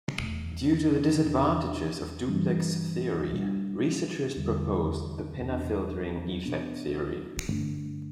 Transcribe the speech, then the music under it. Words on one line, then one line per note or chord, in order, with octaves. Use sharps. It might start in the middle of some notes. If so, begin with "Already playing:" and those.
Due to the disadvantages of duplex theory, researchers proposed the pinna filtering effect theory.
E2 B2 A3
E2 B2 B3 D4
G2 E3 G3 D4
B2 G3 D4
E2 D3 G3
E2 B2 B3 D4
B2 B3 D4
G2 D3 A3 D4